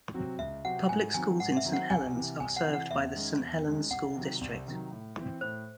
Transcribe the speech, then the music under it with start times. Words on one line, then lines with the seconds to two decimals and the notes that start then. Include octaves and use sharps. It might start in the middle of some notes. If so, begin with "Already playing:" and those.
Public schools in Saint Helens are served by the Saint Helens School District.
0.14 C3 F#3 C4 F#4
0.39 C#2 E5
0.65 C3 F#3 C4 F#4 F#5
0.89 G#2 G#5
1.14 D#3 F#3 C4 G#5
1.40 G#2 F#5
1.57 E5
1.65 D#3 F#3 C4
1.73 F#5
1.90 C2 G#5
2.15 C3 E3
2.40 C2 G#5
2.56 F#5
2.65 C3 E3
2.73 F#5
2.91 E2 E5
3.16 D#3 G#3 C#4
3.41 E2
3.66 D#3 G#3 C#4
3.90 C2 F#5
4.16 C3 D#3 F#3
4.41 C2
4.66 C3 D#3 F#3
4.91 A2
5.16 E3 C4
5.41 A2 C5